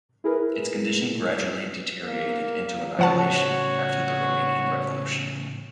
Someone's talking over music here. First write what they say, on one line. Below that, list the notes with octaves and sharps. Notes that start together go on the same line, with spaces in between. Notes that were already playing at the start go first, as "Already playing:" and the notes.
Its condition gradually deteriorated into annihilation after the Romanian Revolution.
E4 G#4 A#4 B4
A#3
A2 C#3 F3 F#4 C#5 F#5 A5